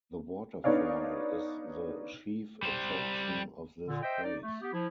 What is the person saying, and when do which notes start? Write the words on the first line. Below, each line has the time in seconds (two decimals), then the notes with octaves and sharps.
The waterfall is the chief attraction of this place.
0.64 B3 D4 D#4 C#5 D5 F5
2.63 G3 C5
3.88 A#2 D3
4.03 C5 D#5 E5 G5
4.23 D#4 D5
4.42 A3
4.61 B3 G4
4.72 F3 E4